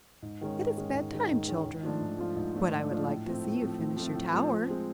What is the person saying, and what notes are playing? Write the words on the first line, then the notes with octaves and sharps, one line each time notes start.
"It is bed-time, children, but I would like to see you finish your tower."
G#2
D#3 G#3 C#4
G#2
D#3 G#3 C#4
G#2
D#3 G#3 C#4
G#2
D#3 G#3 C#4
G#2
F3 A3 D4 F4
G#2
F3 A3 D4 F4
G#2
F3 A3 D4 F4
G#2
F3 A3 D4 F4
A2
F3 A3 C4
A2
F3 A3 C4
A2
F3 A3 C4
A2
F3 A3 C4
F3
G#3 C4